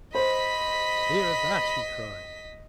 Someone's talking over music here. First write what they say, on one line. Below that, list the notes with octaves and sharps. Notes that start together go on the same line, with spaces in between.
"Hear that!" he cried.
C5 D#5 B5 B6